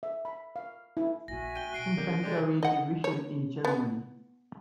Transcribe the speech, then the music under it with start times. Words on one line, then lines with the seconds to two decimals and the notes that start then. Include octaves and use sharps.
Infanterie-Division in Germany.
0.03 E5
0.25 B5
0.56 F5
0.97 E4
1.28 A#1 C#3 F#4 E5 G#5 A#6
1.55 G5 D#7 G7
1.73 B2 D#4 F#6 C7 D7
1.97 C3 A#3 C#4 G4
2.23 G#3 G4 A4 A#4 D5
2.63 D#5 F#5
3.04 C#5
3.65 B3